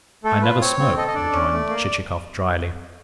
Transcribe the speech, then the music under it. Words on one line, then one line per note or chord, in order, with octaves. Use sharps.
"I never smoke," rejoined Chichikov drily.
A3 A4
F4 B4
C4 C#5
C4
A4 D#5
D#5
D4 D5
C#4
A3
A#3